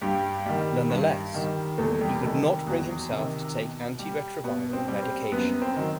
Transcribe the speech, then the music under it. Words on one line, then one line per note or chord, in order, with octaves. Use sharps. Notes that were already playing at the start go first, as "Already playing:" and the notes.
Nonetheless, he could not bring himself to take antiretroviral medication.
G2 G3 G4
D#3 G3
G2
D#3 G3
E2 A3 A4
G3 G4
C3 D#3 A3 A4
G3 G4
E2 F#3 F#4
C3 D#3
B2
G3
B2 B3
C4
G3
C4
F#2 B3
C4
D#3 F#3